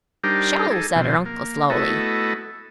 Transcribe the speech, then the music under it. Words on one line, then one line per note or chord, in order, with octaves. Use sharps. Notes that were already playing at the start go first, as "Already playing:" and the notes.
"Sho!" said her uncle, slowly.
G3 D4 D#4 G4 A#4 C5
D#4 G#4 A4
B2 F3 C4
A#3
A3 B3 E4 F#4 A4 D#5